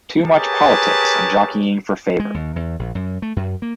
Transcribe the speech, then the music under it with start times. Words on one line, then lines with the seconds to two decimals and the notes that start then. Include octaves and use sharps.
Too much politics and jockeying for favor.
0.24 G4 G#4 A#4 B4 C#5 A5
2.20 G#3
2.34 D#2
2.56 E2
2.79 A#1
2.95 F#2
3.22 A3
3.36 F#2
3.62 A#3